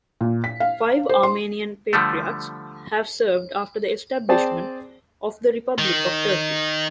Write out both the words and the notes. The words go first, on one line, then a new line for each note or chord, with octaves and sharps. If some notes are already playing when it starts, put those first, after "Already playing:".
Five Armenian Patriarchs have served after the establishment of the Republic of Turkey.
A#2
B6
F5
C5
C6
D3 F3 G3 A3
C4 G#4 C5 D5 G5 A5
D#3